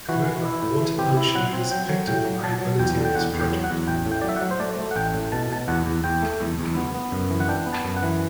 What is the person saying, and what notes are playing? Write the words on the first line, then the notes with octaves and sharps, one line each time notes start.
However, water pollution has affected the viability of this project.
E3 F#4
E3
E4
A2
E3
C4 G4
E4
F#3 F#5
C4
F#3 G5
F#3
A2 G5
F#3
F#3 A5
F#3
E2 G5
D3
G5
E2 F#5
E2
G5
F#3
F#5
E2
A1 G5
A2
G5
F#3 D5
E5
F#5
F#3
C5
A3 D5
A3
F#5
A1 G5
A2
B2 A5
B2 A5
E2 F#5
E2
E2 G5
A3
E2
E2
B3
B3
F#2
E3
F#5
D4 G5
B3
A5
F#2
F#5
E3